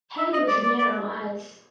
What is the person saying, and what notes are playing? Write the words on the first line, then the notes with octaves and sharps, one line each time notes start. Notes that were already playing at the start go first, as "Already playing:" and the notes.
Head with narrow eyes.
E5
D#5
D5
D5
D5